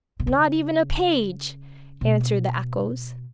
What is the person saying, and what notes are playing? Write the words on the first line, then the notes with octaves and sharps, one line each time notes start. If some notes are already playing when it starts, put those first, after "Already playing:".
'Not even a page!' answered the echoes.
B2
C#3
B2